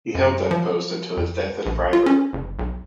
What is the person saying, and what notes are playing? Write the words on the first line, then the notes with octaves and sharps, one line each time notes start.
He held that post until his death at Freiburg.
F#2
F3
F2
A#1
F4
C#4
F#1
B1